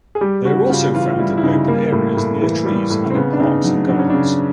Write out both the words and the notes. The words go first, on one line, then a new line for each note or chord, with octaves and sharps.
They are also found in open areas near trees and in parks and gardens.
G#4
G3 G4
C#3 F#4
C#3 F4
E3 F4
F4
G3 E4
E4
C#3 D#4
G3 A#3
A2
A2
E3
G3
A2
C4
C#3 B3
D4
C#3 D#4
F#3 D#4
F#3 D4
C#4
C#3 D4